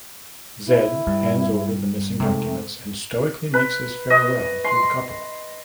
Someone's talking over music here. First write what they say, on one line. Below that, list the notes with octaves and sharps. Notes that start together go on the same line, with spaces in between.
Z hands over the missing documents and stoically makes his farewell to the couple.
E4
G2
G#2 C3 A3
B4
D#5
C6